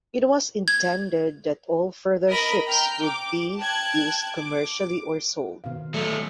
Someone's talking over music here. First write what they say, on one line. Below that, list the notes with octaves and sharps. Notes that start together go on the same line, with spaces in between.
It was intended that all further ships would be used commercially or sold.
G#6
A#4 D#5 B5 A#6
G5 A#5 F6 G6
D6
G5 A5 F#6 G#6
D6
B2 D#3 F5
F#3 A3